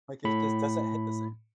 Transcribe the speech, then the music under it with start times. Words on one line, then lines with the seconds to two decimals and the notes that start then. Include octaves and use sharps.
Like, it just doesn't hit the same.
0.24 A2 B5